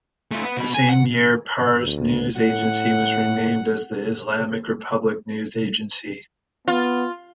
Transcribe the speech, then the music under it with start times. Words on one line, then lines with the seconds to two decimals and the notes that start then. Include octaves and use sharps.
The same year Pars News Agency was renamed as the Islamic Republic News Agency.
0.31 A3 F4
0.43 B3
0.57 B2 B5
0.74 G#5
0.89 F#5
1.85 D2
2.40 A2 F#5
6.68 B3 F4